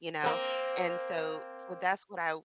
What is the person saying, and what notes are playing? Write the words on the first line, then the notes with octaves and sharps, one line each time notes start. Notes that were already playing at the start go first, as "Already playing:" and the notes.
You know? And so, so that's what I
A#3 C4